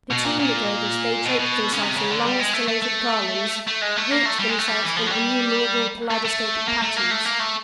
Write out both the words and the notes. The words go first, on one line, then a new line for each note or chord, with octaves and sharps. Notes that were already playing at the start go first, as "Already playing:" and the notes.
Between the girders they draped themselves in long, stellated garlands; grouped themselves in innumerable, kaleidoscopic patterns.
B2
A#2
A#2
B2
B2
C#3
C3
C#3
D3
G3
G#3
A3
A3
A3
A3
G#3
A3
A#3
A3
G3
G#3
A3
G3
E3
F3
F#3
G3
A3
A3
A#3
A3
A#3
A3
A#3
A3